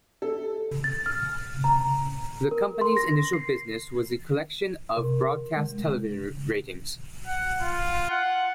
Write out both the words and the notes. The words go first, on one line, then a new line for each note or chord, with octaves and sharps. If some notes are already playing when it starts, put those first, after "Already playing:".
The company's initial business was the collection of broadcast television ratings.
A4
A6
F6
A#5
A#4
C6
A#6
C7
C3
G#3
F#5
F4
F#5